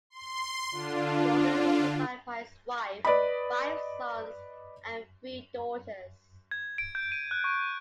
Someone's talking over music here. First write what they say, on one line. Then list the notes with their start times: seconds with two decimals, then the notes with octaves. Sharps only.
Morgan was survived by his wife, five sons and three daughters.
0.10 C6
0.71 D3 D4 F4
3.05 B4 D5 D#5 B5
6.51 G#6
6.78 D7
6.95 G6
7.12 D#7
7.31 F#6
7.44 C#6